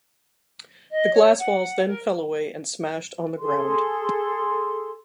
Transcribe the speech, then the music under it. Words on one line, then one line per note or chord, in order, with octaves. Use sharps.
The glass walls then fell away and smashed on the ground.
D#5
C#5
F#5
A#4
G#4 A4 C6